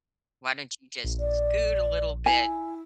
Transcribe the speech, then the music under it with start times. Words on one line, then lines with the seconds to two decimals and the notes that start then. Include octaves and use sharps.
Why don't you just scoot a little bit
1.04 A#1
1.19 D5
2.26 E4 G#5